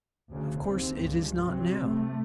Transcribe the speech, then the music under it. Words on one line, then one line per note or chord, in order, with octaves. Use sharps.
Of course it is not now!
D2 C#3
D#2 C4
C#2 G2
C3 F#3 C4
C3 A3